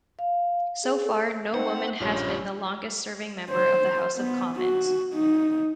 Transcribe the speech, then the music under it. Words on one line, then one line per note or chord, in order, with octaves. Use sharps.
So far, no woman has been the longest-serving member of the House of Commons.
F5
G#4
A4
A3 C4 D#4 C5 F#5
A#1 G2 C#3 G3 F4 C#5
C5
B3
F#4
D#4